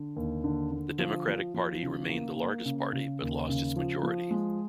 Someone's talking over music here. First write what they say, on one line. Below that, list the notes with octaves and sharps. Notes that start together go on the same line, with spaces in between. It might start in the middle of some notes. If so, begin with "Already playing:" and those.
The Democratic Party remained the largest party, but lost its majority.
Already playing: D3
D#2
D3
D3
F3
F3
F3
C#3
A#3
A#3
C#3
C#3
D#2
C#3
F3
F3
G#3